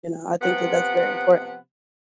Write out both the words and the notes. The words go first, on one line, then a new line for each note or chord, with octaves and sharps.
You know, I think that that's very important.
C3 F3 B3 F#5